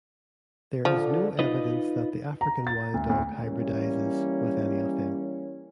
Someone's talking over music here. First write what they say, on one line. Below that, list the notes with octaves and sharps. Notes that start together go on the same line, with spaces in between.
There is no evidence that the African wild dog hybridizes with any of them.
D3 F3
D#4 F4 B4 D#5
A#5
A6
D2
D2
E3 G3 A#3 C#4